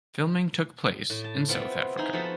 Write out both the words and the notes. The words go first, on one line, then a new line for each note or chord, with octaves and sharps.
Filming took place in South Africa.
A2
A5
B3 C4 E4 F4
D#4 E4 G#4
F3 B3 F#4 A4 C5 E5